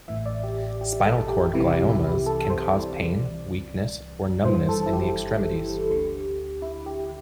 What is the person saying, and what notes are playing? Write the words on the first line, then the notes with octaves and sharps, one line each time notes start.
Spinal cord gliomas can cause pain, weakness, or numbness in the extremities.
A1 A2 E3 E5
D5
G4
G4
G4
A4
G4
C2 C3 E3 E4
G4
E4
G4
A4
A4
C5
D5
C2 C3 E3
G1 G2 E3 C5
A4
E4
G4
D2 D3
E4
G4